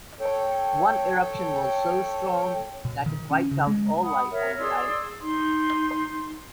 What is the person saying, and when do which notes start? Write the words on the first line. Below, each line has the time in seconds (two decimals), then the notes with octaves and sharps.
One eruption was so strong that it wiped out all life on the island.
0.20 A4 C#5 G5
2.85 B2
3.06 D#3
3.30 C#4
3.51 C#3
3.67 G#3
4.02 F#5 B5 D#6
4.30 A#4 C#5 E5
4.57 G#4 D5 C6 E6
5.20 D#4 C6